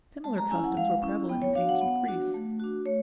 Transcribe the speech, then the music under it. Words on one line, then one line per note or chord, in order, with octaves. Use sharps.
Similar customs were prevalent in Ancient Greece.
G#3 A5
A#5
C#4 E4 G#5
F#5
G#3 F5
C#4 E4
B3 G5
C#5
D4 F#4 F5
F#5
B3
D4 F#4
A3
D4 F#4
A3 C#5